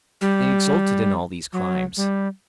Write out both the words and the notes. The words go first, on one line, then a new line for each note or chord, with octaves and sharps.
They exulted in all these crimes.
G3
F#3
G3